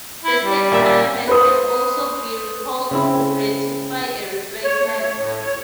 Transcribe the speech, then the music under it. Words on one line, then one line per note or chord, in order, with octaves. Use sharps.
The State Parliament can also be recalled to ratify a replacement.
E4
G3
A#2 E5
B4 C5 D#6
C#3 C4 E4
C#5
A3
C#5
A2
C#5